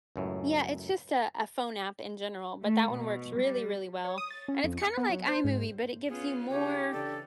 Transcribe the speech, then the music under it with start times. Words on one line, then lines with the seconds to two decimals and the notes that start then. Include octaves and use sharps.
Yeah, it's just a phone app in general, but that one works really, really well, and it's kinda like iMovie, but it gives you more,
0.16 C#2 F#2 A2
2.64 A3
2.95 B2
3.38 G3
4.05 C#5
4.18 D#6
4.30 A6
4.48 C#4
4.64 F2
4.78 C#7
4.97 B3
5.09 F#3
5.28 C5
5.44 G#2
6.09 B3 C#4 F4 G#4
6.50 C#3 D#4 G4 C#5
6.92 C#3 E3 D4 A4